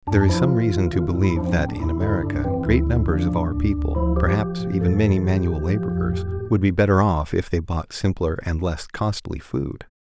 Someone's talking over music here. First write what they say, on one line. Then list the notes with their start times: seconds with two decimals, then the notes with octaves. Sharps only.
There is some reason to believe that in America great numbers of our people, perhaps even many manual laborers, would be better off if they bought simpler and less costly food.
0.07 F2 D4
0.18 D4
0.29 F3 E4
0.40 F4
0.50 E3
0.72 E3
0.93 D3 F4
1.08 E4
1.15 G2
1.22 E4
1.36 F3 D4
1.47 C4
1.58 A2 C4
1.69 D4
1.79 E2 E4
2.01 D3 E4
2.23 G2 D4
2.45 E3 C4
2.65 D2 E4
2.87 D3
3.09 F3 D4
3.31 A2
3.53 D2
3.73 D2
3.95 F3 E4
4.16 F3 G4
4.39 F3
4.59 A2
4.81 F2 A4
5.03 E3
5.24 G2 G4
5.47 E3
5.67 F3
5.90 F2
6.11 A2
6.32 A2